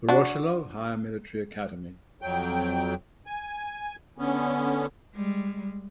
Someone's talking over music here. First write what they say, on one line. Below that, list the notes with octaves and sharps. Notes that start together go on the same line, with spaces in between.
Voroshilov Higher Military Academy.
D4 F#4
F2 F#3 G5
G#5
D3 B3 C#4
G3 G#3